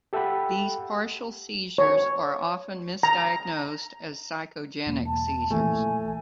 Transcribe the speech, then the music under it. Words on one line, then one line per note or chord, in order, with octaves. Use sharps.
These partial seizures are often misdiagnosed as psychogenic seizures.
G4 A4 E5 F#5 G5 B5
C#5
A#5
E1 A#3
A5
A#1 A#2 E3 A3 G#5